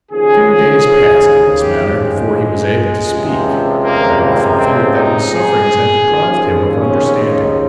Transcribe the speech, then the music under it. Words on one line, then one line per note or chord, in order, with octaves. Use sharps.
Two days passed in this manner before he was able to speak, and I often feared that his sufferings had deprived him of understanding.
D#2 C#3 F3 G#4
G4
G#3
C#2 C3 F3
A#3
A#3
C4
D#4
G#4
D#2 C#3 F3
C#4
D#4